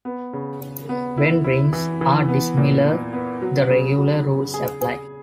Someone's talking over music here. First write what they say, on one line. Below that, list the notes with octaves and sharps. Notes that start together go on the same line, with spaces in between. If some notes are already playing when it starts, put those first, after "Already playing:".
When rings are dissimilar the regular rules apply.
B3
C#3
C#3
B3
E4
E4
E3
E3
B3
A#2
B3
B3
F#3
C#3
F#3
C#3
G#4
G#4